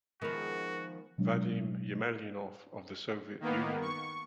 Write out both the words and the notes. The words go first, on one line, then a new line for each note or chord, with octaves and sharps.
Vadim Yemelyanov of the Soviet Union.
D#3 F3 G#3 B3 F#4 A#4
B2 F#3 G#3 D4
D#3 A#3 B3
C#6